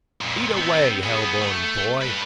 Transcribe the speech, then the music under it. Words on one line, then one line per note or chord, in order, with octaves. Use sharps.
Eat away, hell-born boy!
F2 A#2
B3 C4
B3 G#4
A3
D4 B4